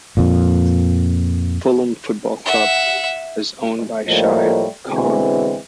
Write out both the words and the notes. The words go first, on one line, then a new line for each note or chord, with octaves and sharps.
Fulham Football Club is owned by Shahid Khan.
F2 A#2
E5 F#5
A2 F3 G3 A3 A#3 D#5
B2 D3 E3 G#3 C4